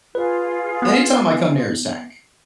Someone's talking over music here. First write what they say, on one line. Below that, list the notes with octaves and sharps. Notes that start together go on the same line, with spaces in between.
any time I come near his tank,
F4 G#4 B4
B3